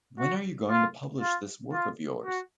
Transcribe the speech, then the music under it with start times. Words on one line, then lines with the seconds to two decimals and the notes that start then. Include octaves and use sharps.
When are you going to publish this work of yours?
0.19 F#4
0.70 F4
1.21 F4
1.72 F4
2.25 F#4